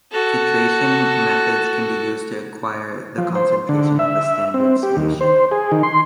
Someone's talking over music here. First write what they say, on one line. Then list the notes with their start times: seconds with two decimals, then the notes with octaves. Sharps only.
Titration methods can be used to acquire the concentration of a standard solution.
0.11 F#4 A4
3.18 F3
3.35 C5
3.69 D3
3.99 E5
4.54 C4
4.83 G4
4.97 D#2
5.21 C5
5.52 G#4
5.72 D#3
5.83 C6